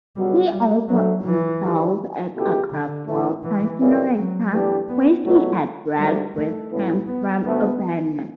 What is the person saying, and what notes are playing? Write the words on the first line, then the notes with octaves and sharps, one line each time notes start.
He also installed a Cockcroft-Walton generator, which he had brought with him from Urbana.
C#2 B2 F#3 G3
G3
D2 D3 F#3 A3
E3
D2 D3 G3
C#2 B2 A3 E4 G4
D3
A1 A2 E3 A3
E3
F#2 C#3 E3 G3
F#3
G2 E3 A3 B3 D4 G4
B3
E2 B2 F#3 A3
D2 D3 G3 A3
A3
A1 A2 E3 B3
B3
D2 D3 A3 B3